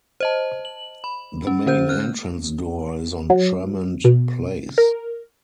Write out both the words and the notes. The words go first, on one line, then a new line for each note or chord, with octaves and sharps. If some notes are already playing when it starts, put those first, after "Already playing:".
The main entrance door is on Tremont Place.
C5 D#5 A5
F#7
B5
C#4
D3 C#4 C5 G6
F6 F#6
F#3
B2
A#4